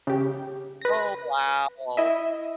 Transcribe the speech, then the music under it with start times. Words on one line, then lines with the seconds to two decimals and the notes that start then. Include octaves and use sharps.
Oh wow! Oh,
0.07 C#3 G4
0.82 B4 A#6
1.97 E4 D#5 E5